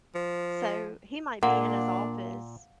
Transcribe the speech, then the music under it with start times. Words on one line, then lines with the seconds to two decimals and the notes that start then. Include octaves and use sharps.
so he might be in his office
0.15 F3
1.43 A#2 A#3 D4 F#5